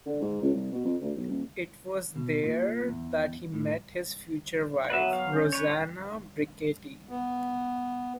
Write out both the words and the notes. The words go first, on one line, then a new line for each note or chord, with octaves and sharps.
It was there that he met his future wife, Rosanna Brichetti.
D3
G#2
C#2
C2
B2
F2
D2
B1
D#1
B2
A#2
E2
A2
F#3 B3 B4 E5
F5
C#4 G6
B4 C#5
B3